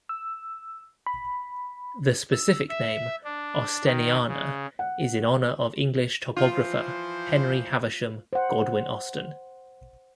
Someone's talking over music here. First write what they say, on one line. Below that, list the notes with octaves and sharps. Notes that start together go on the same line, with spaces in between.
The specific name, "austeniana", is in honor of English topographer Henry Haversham Godwin-Austen.
E6
B5
E6
E5
D4
D#3
C#3
F#5
E3 F3 F4 C5
C5 F#5